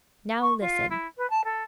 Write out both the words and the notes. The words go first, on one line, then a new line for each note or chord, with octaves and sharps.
Now, listen.
C#6
F4
E4
B4
A5
A4